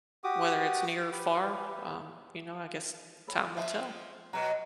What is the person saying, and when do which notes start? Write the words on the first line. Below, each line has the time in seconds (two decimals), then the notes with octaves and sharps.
whether it's near or far, um, you know, I guess time will tell.
0.24 F#4 G4 D6 D#6
1.12 G4 B4
3.27 A4 C#5 B5
3.57 F3 C5 D#5 E5
4.33 B2 F#3 B4 A#5